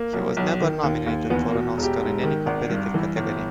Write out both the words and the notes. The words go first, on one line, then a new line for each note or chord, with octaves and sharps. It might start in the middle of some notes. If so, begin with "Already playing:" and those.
He was never nominated for an Oscar in any competitive category.
Already playing: A#3
B1
B1
D#3
D#2
D#2
E2 B3
A#3
B2
E1
G4
G#2
D#3
G#1
G2
E3
G1